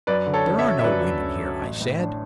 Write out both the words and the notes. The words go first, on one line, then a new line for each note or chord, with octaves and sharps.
'There are no women here,' I said.
F#2 B4 D5
D3
A4 C#5
C#4
C#5 E5
F#3
E5
F#2 B4 D5
D3
C#4
F#3
A1
A2
D4